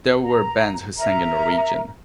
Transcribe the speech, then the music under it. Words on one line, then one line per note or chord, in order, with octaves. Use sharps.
These were bands who sang in Norwegian.
A#5
A#4 E5 A#5